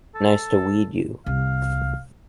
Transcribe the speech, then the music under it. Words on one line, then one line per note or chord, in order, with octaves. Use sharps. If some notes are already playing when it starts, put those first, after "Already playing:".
Nice to "weed" you!
A4
C2 F5